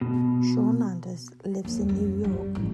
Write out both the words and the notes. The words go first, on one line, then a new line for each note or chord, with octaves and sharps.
Sean Landers lives in New York.
B2
D#2
F#2
G3
A1